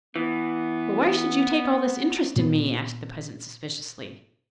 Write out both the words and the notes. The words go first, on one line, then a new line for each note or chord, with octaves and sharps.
'But why should you take all this interest in me?' asked the peasant suspiciously.
E3 B3
A#2 B3